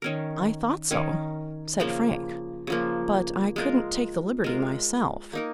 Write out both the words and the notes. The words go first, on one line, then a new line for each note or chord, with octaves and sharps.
"I thought so," said Frank; "but I couldn't take the liberty myself."
D#3 C#4 A#4
D#3 C#4 A#4
C#3 F3 A#3
C#3 F3 A#3
G#3 F4 A#4
G#3 F4 A#4
A#3 D#4 A#4